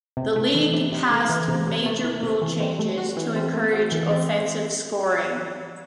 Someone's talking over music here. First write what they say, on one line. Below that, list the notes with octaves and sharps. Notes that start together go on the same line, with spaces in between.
The league passed major rule changes to encourage offensive scoring.
C3
A3
E3
C3
C3
A3
E3
C3
C3
A3
E3
C3
E3
C4
A3
F#4
E3
C4
A3
F#4
E3
C4